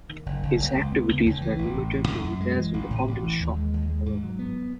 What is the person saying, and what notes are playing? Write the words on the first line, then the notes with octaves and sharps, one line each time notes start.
His activities were limited to repairs in the Ogden shop, however.
D#3
F#1
F#1
F#1
C#2
B3
C#2
C#2
E3
A1
A2
A1
F#2
F#2
G#3
E3
A1
A2
A1
E3
D#2
G#3
D#2
G#3
G#2
F#3
B3